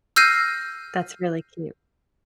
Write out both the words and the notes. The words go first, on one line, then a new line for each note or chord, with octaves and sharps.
That's really cute.
E6 F6 G6 A#6 C7 D#7